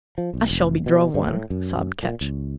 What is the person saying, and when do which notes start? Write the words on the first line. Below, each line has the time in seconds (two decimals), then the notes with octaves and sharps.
"I shall be drove one," sobbed Ketch.
0.18 F3
0.34 B1
0.51 F1
0.86 B2
1.14 G2
1.27 A2
1.50 F#2
2.03 A#2
2.21 C#2